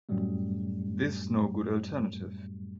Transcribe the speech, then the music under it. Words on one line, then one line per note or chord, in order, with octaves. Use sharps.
This no good alternative.
F#2 A2 F#3 G3 A3